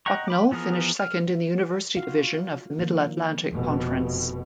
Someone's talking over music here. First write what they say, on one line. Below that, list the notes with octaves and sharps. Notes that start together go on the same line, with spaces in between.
Bucknell finished second in the University Division of the Middle Atlantic Conference.
D#5 F#5 G5 A#5 C#6
B5 D6
E3 F3 B3 G#4 A#4
F6
F4 F#4 F5
D#3 F3 A#3
F1 B2